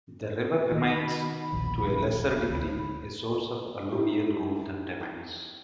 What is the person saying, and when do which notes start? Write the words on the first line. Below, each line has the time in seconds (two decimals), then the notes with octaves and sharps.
The river remains, to a lesser degree, a source of alluvial gold and diamonds.
0.72 D#3 D#5
0.92 B5
1.06 B5
1.52 E1 A#1 D#2
2.50 D2 B5
3.92 D#4 E4 G4